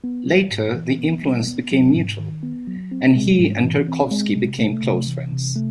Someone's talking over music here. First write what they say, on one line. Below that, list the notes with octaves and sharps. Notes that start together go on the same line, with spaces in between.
Later the influence became mutual, and he and Tarkovsky became close friends.
B3
G3
G#2
E3
B3
G3
B3
F#3
G#2
D#3
B3
F#3
C4
G#3
G#2
E3
C4
G#3
C3
A3
C3
E3
C3
A3